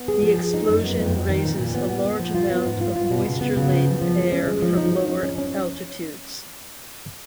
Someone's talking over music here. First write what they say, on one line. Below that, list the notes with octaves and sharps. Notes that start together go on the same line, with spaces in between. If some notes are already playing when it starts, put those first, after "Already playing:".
The explosion raises a large amount of moisture-laden air from lower altitudes.
Already playing: B3
G#4
F3
G#4
D#4
F#2
B3
F2
F2
D#3
A#2
A#2
B3
B3
B3
F3
F4
B3
G#2
F4
F4
B2
C#3
B3
C#3
F3
F3
F3
G#3
C#4
G#3
F3
D#4
D#4
C#4
C#4
C#4